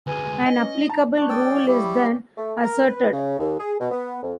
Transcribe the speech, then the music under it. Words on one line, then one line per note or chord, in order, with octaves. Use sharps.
An applicable rule is then asserted.
D2 G#3 B4 G#5
D#5
C#4
D#4
A5 A#5
D4 C#6
G#4 C#5 D5 G5 E6
C#4 F5
G3 E4 G4
D5 G5
A3
A#4
B4
C#3
D#2
G#4
B2
B3
F2